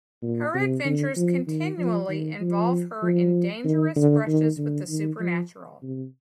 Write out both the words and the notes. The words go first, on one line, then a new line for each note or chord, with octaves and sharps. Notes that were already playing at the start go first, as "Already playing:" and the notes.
Her adventures continually involve her in dangerous brushes with the supernatural.
A#2
C3
D3
F3
D#3
F3
D#3
F3
F3
D#3
D3
D#3
D3
D#3
F3
C3